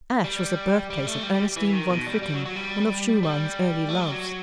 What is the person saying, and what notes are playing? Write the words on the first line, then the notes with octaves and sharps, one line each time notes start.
Asch was the birthplace of Ernestine von Fricken, one of Schumann's early loves.
G3
G3
A3
G3
G3
E3
D#3
B2
G3
G3
F#3
F#3
G3
G3
A3
G3
F#3